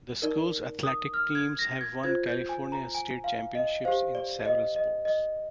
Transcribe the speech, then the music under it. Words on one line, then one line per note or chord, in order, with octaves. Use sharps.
The school's athletic teams have won California State Championships in several sports.
D#4 A#4 D5
D#6
F6
G#6
A#6
G#6
F4 C5 G#6
G6
G#5
A#5
G#5
F5
D#5
G4 C5 F5
D5
D#5
D#5
D#5